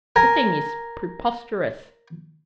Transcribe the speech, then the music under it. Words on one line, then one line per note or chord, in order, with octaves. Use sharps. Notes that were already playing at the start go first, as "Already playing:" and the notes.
The thing is preposterous!
A#4 G#5 A#5